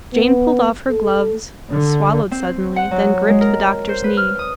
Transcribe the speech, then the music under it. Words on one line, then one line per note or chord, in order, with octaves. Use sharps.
Jane pulled off her gloves, swallowed suddenly, then gripped the doctor's knee.
B3
A4
D3
C4
F#5
F#3
G#3
A#4
C5
B4
F6
D#6